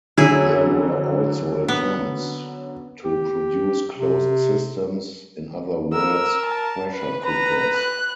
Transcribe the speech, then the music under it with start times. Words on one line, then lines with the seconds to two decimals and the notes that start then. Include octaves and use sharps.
There were also attempts to produce closed systems, in other words "pressure cookers".
0.17 D3 F#3 C#4 E4 G#4
1.68 B3
3.04 G4
3.98 C3
5.93 A#4 E6
6.46 A5
6.93 B4
7.26 B4 A#5
7.76 F#6